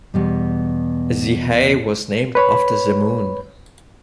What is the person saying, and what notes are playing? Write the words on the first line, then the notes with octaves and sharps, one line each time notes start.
The Hay was named after The Moon.
E2 B2 G3
B4 C#5 B5